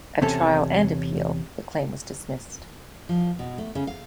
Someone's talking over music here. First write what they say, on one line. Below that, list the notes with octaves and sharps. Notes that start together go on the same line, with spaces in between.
At trial and appeal the claim was dismissed.
E2 C3 C#4 A4
F3
B2
A3
C#3
F5